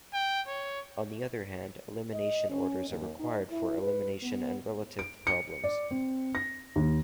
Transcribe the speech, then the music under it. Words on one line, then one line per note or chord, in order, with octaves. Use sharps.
On the other hand, elimination orders are required for elimination and relative problems.
G5
C#5
D#5
C#4
D#2
D#4
E4
B4
B3
D7
C#7
D5
C4
A#6
D#2